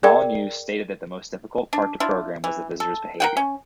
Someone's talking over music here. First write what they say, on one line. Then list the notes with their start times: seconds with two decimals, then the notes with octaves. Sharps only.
Molyneux stated that the most difficult part to program was the visitors' behaviour.
0.03 G#4 A#4 D5 G5
1.73 D4
2.00 D4 E4 F4
2.44 E3
2.80 A4
3.20 A#4 F#5 G5
3.37 C#4